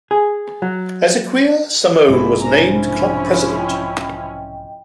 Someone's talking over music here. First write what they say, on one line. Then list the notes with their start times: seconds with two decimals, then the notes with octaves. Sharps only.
Ezequiel Simone was named club president.
0.11 G#4
0.62 F#3
2.08 B1 G#2 C3 E4 G#4
2.41 D4 C5 G#5 A#5
2.76 F3 C#4 E4
3.55 D#5 G5